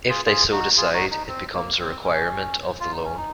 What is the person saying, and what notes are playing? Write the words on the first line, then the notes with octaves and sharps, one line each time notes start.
If they so decide, it becomes a requirement of the loan.
F4 G#4
F4 G#4
D#4 F#4
F4 G#4
D#4 F#4
D#4
C4
A#3
C4
C#4
F4
D#4
C#4
D#4